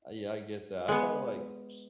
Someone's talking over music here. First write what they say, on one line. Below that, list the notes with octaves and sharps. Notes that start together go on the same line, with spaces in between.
Uh, yeah, I get that. I try to, like, s
G#3 B3